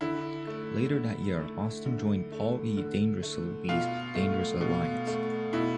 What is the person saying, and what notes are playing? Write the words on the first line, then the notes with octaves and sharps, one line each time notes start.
Later that year, Austin joined Paul E. Dangerously's Dangerous Alliance.
D3 E4
A3
D3
A3
D3
A3
D3
A3
B2 F4
A3
B2
A3
B2 E4